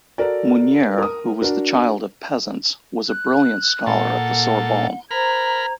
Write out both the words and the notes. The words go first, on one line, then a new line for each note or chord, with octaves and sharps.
Mounier, who was the child of peasants, was a brilliant scholar at the Sorbonne.
F#4 A4 A#4 D5
A#4 D#6
D4 F#4 A#4
F#6
A#2 A4 F#5
A#4 C5 A#5 B5 F6 G#6